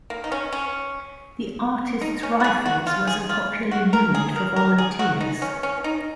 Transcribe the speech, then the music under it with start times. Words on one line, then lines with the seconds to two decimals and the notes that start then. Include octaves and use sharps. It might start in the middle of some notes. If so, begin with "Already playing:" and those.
The Artists Rifles was a popular unit for volunteers.
0.10 A#3
0.24 D#4
0.32 C#4
0.52 C#4
2.01 D#4
2.23 C#4
2.40 F#4
2.44 G#4
2.66 F#4
2.87 F4
3.07 G#4
3.29 F4
3.71 F#4
3.93 A#4
4.15 G#4
4.36 A#4
4.56 A#4
4.78 G#4
4.99 F#4
5.20 D#4
5.42 C#4
5.63 C#4
5.84 D#4